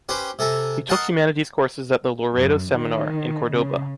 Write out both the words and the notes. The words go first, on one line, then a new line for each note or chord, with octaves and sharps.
He took Humanities courses at the Loreto Seminar, in Córdoba.
C#4 G4 B4 C5
C3 A4 G#5 A#5
A#4 D#5 F5 F#5 A5
F#2
D#3
C#3